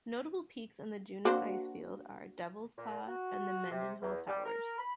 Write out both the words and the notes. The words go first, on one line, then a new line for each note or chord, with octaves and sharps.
Notable peaks on the Juneau Icefield are Devils Paw and the Mendenhall Towers.
A#3 D4 F#4 C5
A#2
F#4
C3
E2
G3
A#4
B5